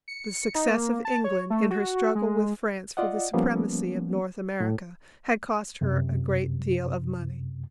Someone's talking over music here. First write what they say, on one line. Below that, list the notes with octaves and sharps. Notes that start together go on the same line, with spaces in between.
The success of England, in her struggle with France for the supremacy of North America had cost her a great deal of money.
C#7
D#4
A#3
A5
C#5
A3
F#4
G#3
F4 D5 D#5 F#5
F3 G3 A#3 B3 C#4
A2
F#2 C3